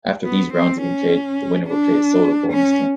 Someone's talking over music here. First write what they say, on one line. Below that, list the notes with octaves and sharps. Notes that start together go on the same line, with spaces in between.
After these rounds have been played, the winner would play a solo bonus game.
B3
C4
C#4
D4
C#4